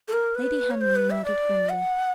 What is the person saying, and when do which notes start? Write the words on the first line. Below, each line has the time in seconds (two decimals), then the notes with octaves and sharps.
Lady Henry nodded grimly.
0.08 A4
0.13 A#4
0.35 B4
0.71 C#5
0.81 C5
0.96 B4
1.11 E5
1.25 D5
1.69 F#5